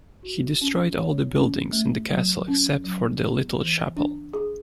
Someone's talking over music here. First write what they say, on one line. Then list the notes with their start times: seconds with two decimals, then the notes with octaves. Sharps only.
He destroyed all the buildings in the castle, except for the little chapel.
0.23 F#4
0.61 C#4
0.98 C#5
1.36 C#4
1.72 A3
2.11 F#3
2.48 C#4
2.84 F#3
3.22 B3
3.59 E3
3.97 D4
4.33 G#4